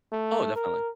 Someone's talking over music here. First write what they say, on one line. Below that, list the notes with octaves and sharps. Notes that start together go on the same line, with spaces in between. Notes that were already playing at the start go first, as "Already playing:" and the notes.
Oh, definitely.
A3
A#4